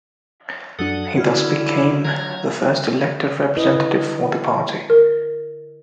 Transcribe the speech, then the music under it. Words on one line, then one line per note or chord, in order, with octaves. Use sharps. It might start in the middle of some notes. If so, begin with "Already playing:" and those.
He thus became the first elected representative for the party.
F#2 F#3 D4 A4 F#5 D#6
D3 E4 F#4 F6
F#3 A#5 G#6
E4 B4 D#5
D3
A#4